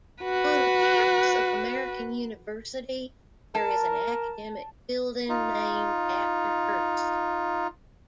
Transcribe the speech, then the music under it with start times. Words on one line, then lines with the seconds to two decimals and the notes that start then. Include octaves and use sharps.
On the campus of American University, there is an academic building named after Hurst.
0.23 F#4 B4
3.55 A#4 A5
5.29 D#4 F4